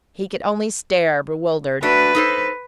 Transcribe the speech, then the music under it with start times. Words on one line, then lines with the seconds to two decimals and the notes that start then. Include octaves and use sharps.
He could only stare, bewildered.
1.82 A3 D4 F#4 B4
2.15 D#4 A4 C5